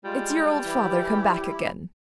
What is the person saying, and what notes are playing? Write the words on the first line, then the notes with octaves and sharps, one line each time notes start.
It's your old father come back again.
G3 G#3 F4
E3 E4 G4